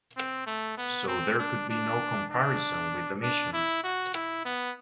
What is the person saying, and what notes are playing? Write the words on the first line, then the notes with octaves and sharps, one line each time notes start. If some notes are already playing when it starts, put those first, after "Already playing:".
So there could be no comparison with The Mission.
C4
A3
B3
C4
D4
D4
D4
D4
E4
F#4
E4
B3